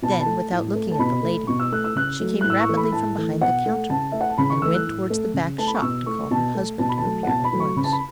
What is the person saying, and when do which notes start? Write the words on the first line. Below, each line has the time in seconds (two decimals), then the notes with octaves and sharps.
Then, without looking at the lady, she came rapidly from behind the counter, and went towards the back-shop to call her husband, who appeared at once.
0.02 B2 A5
0.11 B5
0.19 A5
0.26 A3
0.51 A2
0.75 A3
0.91 A5
0.99 B2 B5
1.23 A3
1.47 B2 C#6
1.60 E6
1.72 A3 F#6
1.84 E6
1.96 C#3 F#6
2.20 F#3 A3
2.41 A2 F#6
2.50 E6
2.60 C#6
2.69 E3 A3
2.77 B5
2.92 A2 A5
3.18 E3 A3
3.41 B2 F#5
3.66 A3
3.90 C#3 A5
4.12 A3 E5
4.21 F#5
4.29 A5
4.38 C#3 B5
4.50 C#6
4.62 E3 A3 E6
4.74 F#6
4.86 A2
5.10 A3
5.34 C#3
5.58 A3 A5
5.67 B5
5.75 C#6
5.82 B2 E6
6.06 A3 C#6
6.31 B2 A5
6.55 A3
6.79 B2 A5
6.89 B5
6.98 A5
7.03 F#3 A3
7.23 F#5
7.27 B2 A5
7.44 B5
7.52 F#3 A3
7.60 C#6
7.76 C#3 B5
7.84 A5
7.92 B5